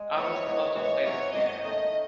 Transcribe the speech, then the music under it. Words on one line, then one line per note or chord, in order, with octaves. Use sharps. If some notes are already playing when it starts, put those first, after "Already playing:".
I would love to play the piano.
Already playing: G#3 G#4
G#2 E3 B3 E4 C#5
E3 G#3 B3 D#4
G#2 E3 G#3 B3 C#5
G#2 F#3 C#4 E4 C#5
G#2 D#3 F#3 D#5
D#3 A3 D#4 D#5